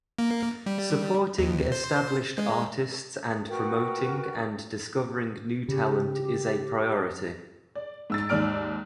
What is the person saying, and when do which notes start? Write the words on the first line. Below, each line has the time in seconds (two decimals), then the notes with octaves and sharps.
Supporting established artists and promoting and discovering new talent is a priority.
0.19 A#3
0.66 G3
1.38 D#2
1.72 C5
2.38 G#3
3.49 F#4 A#4 B4 G5
5.68 C#3 G4
7.75 D5
8.10 G#2 E6 A6
8.29 D#2 G#2 D5 F6 D7